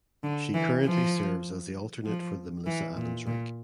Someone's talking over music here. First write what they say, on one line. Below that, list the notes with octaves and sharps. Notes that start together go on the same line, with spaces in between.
She currently serves as the alternate for the Melissa Adams rink.
D3
E3
F3
F3
E3
A#2
A#2